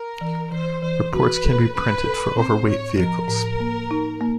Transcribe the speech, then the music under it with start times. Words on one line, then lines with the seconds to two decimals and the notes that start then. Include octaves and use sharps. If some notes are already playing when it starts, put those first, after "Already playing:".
Reports can be printed for overweight vehicles.
Already playing: A#4
0.21 E3
0.51 E3 C5
0.82 E3 C5
1.14 F#4 B4
1.44 A4
1.75 C#4 B4
2.06 A4
2.36 C4 C5
2.67 A2 C#5
2.97 F3 A#4
3.28 A2
3.60 A#3
3.91 D#4
4.21 A#3